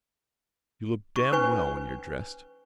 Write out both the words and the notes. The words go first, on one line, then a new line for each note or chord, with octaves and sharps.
You look damn well when you're dressed.
C#6
C#4 B4 G#5 C#6